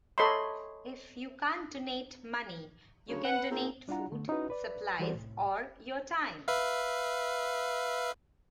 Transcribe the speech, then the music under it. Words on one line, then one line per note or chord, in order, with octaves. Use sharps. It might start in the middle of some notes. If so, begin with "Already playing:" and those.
If you can't donate money, you can donate food, supplies or your time.
A4 C#5 D#5 B5 C6
D2 C#3 F#3 C#5
B4 F#5
A#3 C4 D#4 F4 G#4 A#4
G3 D4 E4 F4 F#5 A#5
D3 A3
C#4 D#4 E4 F#4 B4
B4 D5
E3 G3 F#4 A4 C5 D5
C2 A2
B4 E5 F5